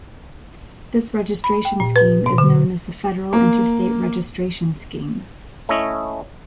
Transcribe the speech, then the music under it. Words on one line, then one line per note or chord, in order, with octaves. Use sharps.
This registration scheme is known as the Federal Interstate Registration Scheme.
B5
G5
A#2
B4
B2
D3
A#3
A3 C#4 E4 D#5